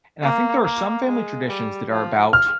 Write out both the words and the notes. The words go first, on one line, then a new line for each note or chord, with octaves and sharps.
And I think there are some family traditions that are about
A#3
A#3
G#3
G3
F3
F6